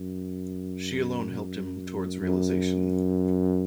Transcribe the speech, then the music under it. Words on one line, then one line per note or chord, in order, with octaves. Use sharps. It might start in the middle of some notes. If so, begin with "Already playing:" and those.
She alone helped him towards realisation.
Already playing: F#2
F#2